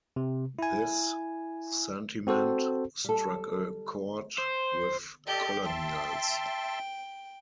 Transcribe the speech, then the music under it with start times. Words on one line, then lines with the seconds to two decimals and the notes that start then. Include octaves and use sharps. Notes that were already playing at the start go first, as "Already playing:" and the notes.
This sentiment struck a chord with colonials.
0.16 C3
0.59 E4 G#5
2.27 C4 F#4 A4 C5
3.05 G3 A4
4.38 C5
5.27 G4 A4 D5 D#5 G6
5.65 E5 G5 A5 C6